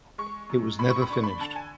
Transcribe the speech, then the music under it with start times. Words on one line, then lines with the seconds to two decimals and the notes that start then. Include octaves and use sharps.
It was never finished.
0.18 G#3 C#6
0.49 F#2
0.79 A2 B5
0.90 C#6
1.02 B5
1.09 D4 C#6
1.23 B5
1.40 D3 A5
1.56 G#5